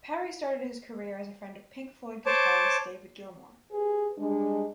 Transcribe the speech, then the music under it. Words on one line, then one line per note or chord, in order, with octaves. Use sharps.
Parry started his career as a friend of Pink Floyd guitarist David Gilmour.
C5 C#5 A5 D6
G4 G#4 B4
G3 G#3 D4